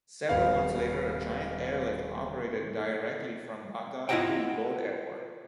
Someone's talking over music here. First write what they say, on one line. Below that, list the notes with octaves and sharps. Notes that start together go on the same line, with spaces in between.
Several months later, a giant airlift operated directly from Baghdad to Lod Airport.
D#1 B3 F5
E4 F4 G4 D#5 F#5 G5